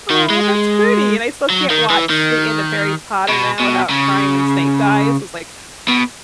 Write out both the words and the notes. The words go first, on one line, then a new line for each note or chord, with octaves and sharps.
"Aw, that's pretty." And I still can't watch the end of Harry Potter now without crying when Snape dies, it's like,
D#3
G#3
F#3
D#3
E3
D#3
B2
B2
C#3
B2